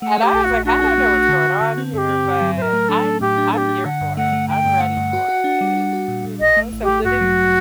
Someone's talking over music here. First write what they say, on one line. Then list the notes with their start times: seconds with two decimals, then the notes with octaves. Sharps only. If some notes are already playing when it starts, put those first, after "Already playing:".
And I was like, "I don't know what's going on here, but I'm f I'm here for it, I'm ready for it," you know? So, living
0.01 A3 F#5
0.18 A3 G4
0.33 A#1
0.44 F#4
0.50 A#1
0.65 D4 F#4
0.81 D4
0.98 A3
1.14 A3
1.29 D3
1.45 D3
1.61 D3
1.78 C4
1.93 G2 G4 A4
2.09 C4
2.25 G2
2.41 F#3
2.57 A2 A#4 C5
2.73 A3
2.89 D4 A4
3.05 A3
3.21 A2 G4
3.38 D4
3.53 D4 G4 A4
3.69 D4
3.85 D3 F#5
4.01 G2
4.17 A3 F#5
4.33 A3
4.49 D3 G5
4.65 G2
4.81 A3 F#5
4.97 G2
5.13 F#4
5.29 F#4
5.44 D4
5.61 G3
5.77 F#4
5.93 F#4
6.08 A#2
6.25 A#2
6.40 A1 D#5
6.57 A3
6.72 A1
6.83 G4
6.88 A3
7.04 G2 F#4
7.21 F#3